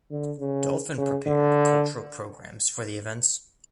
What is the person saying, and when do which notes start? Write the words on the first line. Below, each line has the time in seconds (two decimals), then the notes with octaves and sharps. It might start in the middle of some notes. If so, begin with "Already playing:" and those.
Dolphin prepared cultural programmes for the events.
0.11 D3
0.39 C#3
0.98 C#3
1.27 D3